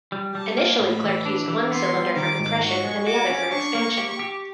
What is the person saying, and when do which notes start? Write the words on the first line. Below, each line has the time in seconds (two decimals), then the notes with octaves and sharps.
Initially Clerk used one cylinder for compression and the other for expansion.
0.12 G3
0.35 G3 A5
0.58 A#3
0.80 A2 B5
1.04 E3
1.25 D4
1.48 E3
1.71 B3 C6
1.94 G3
2.16 D#3 D6
2.39 G#2
2.61 F#4 C#6
2.84 G#3
3.07 F#4 D6
3.30 C#4
3.52 D4 C#6
3.75 A#3
3.97 G4
4.19 G4